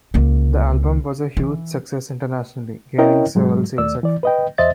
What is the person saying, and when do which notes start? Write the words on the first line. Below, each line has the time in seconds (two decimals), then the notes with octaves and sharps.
The album was a huge success internationally, gaining several sales certifications.
0.14 C#2 A#3
1.37 E3
2.98 C#4 E4 A#4 C#5 D#5 G5
3.35 G#2 F#3 G#3
3.78 D#2 A3 D5 E6
4.03 E3 D5
4.23 B4 D#5 G5
4.58 E2 C5 D#5 E5 A6